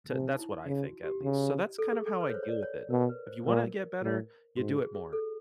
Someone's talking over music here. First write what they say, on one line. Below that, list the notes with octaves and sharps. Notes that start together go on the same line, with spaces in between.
to that's what I think at least. So that's kind of how I deal with it, if you wanna get better, you do it more.
C3 D#4
D#4
E4
C#3
F#4
G4
C#3
A4
G#4
A4
B4
C#5
C5
C#5
D5
C#5
B2 A#4
B4
C5
A#2 A#4
A2
G#2 F#4
G#4
G#4
A4